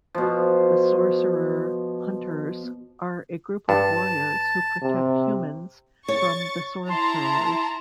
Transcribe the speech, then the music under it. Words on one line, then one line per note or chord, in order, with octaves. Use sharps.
The Sorcerer Hunters are a group of warriors who protect humans from the Sorcerers.
B2 F3
G2 A5
C3
C#5 C#6 A6
E4 A5 A#5 C6